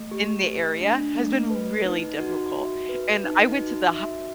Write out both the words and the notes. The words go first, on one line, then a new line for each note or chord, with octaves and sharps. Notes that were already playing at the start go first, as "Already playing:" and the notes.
in the area has been really difficult, and I went to the
Already playing: A3
G4
A3
D4
A3
B4
D#4
F#4
E5
B4
D#4
F#4
E5